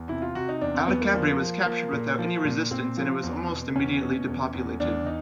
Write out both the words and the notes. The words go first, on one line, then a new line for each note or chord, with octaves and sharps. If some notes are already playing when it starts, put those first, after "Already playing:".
Al-Kabri was captured without any resistance and it was almost immediately depopulated.
Already playing: E2
C3 E4
F4
C3 F#4
D#4
E2 D4
C4
E2 B3
A#3
F3
F3
F3 A#3
A#2
F3
A#2
A#2 C4
F3
E2
B2
E2 C#4
B2
E2
E2
E2 D4
D#4